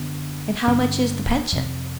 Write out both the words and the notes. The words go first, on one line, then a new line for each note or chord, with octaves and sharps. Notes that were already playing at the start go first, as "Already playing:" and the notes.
"And how much is the pension?"
Already playing: F#2 D3 B3
G2 D3 C4
F2 C3